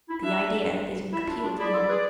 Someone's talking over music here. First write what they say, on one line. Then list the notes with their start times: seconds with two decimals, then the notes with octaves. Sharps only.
The idea didn't appeal to him.
0.09 E4
0.23 D4 E5
1.13 E4 E5
1.28 D4 F4
1.44 D4 F4
1.58 E4 G#4 D5
1.73 F4 A4
1.88 G#4 B4